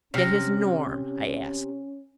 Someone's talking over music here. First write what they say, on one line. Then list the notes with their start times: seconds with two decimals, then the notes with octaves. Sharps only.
"Get his Norm?" I asked.
0.14 C3 C#4 F6 A#6